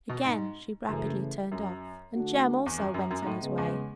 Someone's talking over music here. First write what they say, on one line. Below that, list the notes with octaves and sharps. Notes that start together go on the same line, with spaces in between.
Again she rapidly turned off, and Jem also went on his way.
B2
G#2
F#2 C#3 E3 A3
F#2
D3 A3 D4 F#4
E2
F#2
F#2
F#2
G#2
A2
C#3 G#3 B3
E2